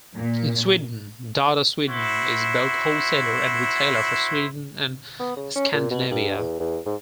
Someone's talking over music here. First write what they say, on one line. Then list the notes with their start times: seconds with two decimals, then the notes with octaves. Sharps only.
In Sweden Darda Sweden is both wholesaler and retailer for Sweden and Scandinavia.
0.16 A#2
1.89 E4 F#4 C5
5.19 B3
5.36 C#3
5.55 C#4
5.73 A#2
5.91 B2
6.10 G2
6.38 E2
6.60 E2
6.86 G#2